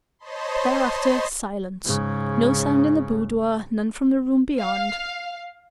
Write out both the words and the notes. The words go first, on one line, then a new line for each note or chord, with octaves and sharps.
Thereafter, silence, no sound in the boudoir, none from the room beyond.
C5 C#5 D#5 A5 B5 C6
G#2 C#3
F5